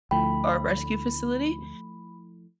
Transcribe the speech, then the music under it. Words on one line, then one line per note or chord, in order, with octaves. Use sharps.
our rescue facility,
D2 F3 A3 E4 G5 B5